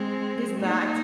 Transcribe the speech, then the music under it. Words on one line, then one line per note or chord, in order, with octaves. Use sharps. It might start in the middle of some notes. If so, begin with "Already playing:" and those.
is not
Already playing: G#3 C4
A#3 D#4